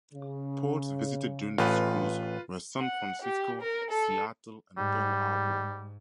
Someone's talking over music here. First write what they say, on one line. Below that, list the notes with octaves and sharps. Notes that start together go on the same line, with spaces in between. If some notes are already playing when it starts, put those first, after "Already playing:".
Ports visited during this cruise were San Francisco, Seattle, and Pearl Harbor.
C#3
A1 F4 B4
F#5
G4
A#4
A4
G#2 G3